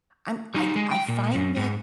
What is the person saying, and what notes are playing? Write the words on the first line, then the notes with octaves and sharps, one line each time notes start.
I'm I'd I find that,
G3 D#4
G#3
G5
A#2
F#2
G#2